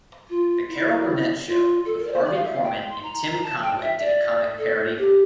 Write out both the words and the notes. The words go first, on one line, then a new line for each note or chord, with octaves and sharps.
"The Carol Burnett Show" with Harvey Korman and Tim Conway did a comic parody.
F4
E4
F4
A4
A#4
D5
C5
D5
F5
E5
F5
G5
C6
A#5
A#5
A5
G5
E5
D5
A4
G4